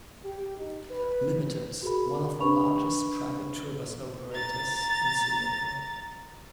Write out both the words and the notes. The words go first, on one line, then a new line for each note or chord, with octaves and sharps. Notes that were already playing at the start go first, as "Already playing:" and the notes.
Limited, one of the largest private tour bus operators in Singapore.
G4
D#4
B4
F#4 G#4 A#4 B5
D4 B4 B5 C#6 F7
A#5 A6